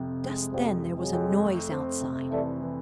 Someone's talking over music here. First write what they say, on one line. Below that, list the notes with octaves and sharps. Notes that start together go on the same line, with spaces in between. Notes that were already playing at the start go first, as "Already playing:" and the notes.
Just then there was a noise outside.
Already playing: F2 C3
G#3
F2 F3 G3
F2
F#3 G#3
F2
A3
C4
C3
E3 G3 A3
E3